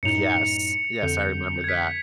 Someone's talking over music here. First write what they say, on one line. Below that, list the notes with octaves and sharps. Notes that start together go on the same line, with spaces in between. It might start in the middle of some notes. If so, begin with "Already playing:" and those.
Yes. Yes, I remember that.
F#2 A2 D#4 C#7 F7
F2 D3 G6
G#6 B6